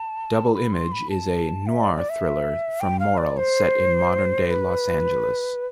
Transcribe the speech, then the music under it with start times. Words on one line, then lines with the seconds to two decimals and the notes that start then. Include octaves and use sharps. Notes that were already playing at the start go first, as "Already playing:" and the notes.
"Double Image" is a "noir" thriller from Morrell set in modern-day Los Angeles.
Already playing: A5
0.54 B5
0.72 C6
0.92 B5
1.10 A5
1.67 E5
1.81 D5
1.95 D5
2.10 E5
2.81 G5
3.00 F5
3.18 D5
3.37 C5
4.51 B4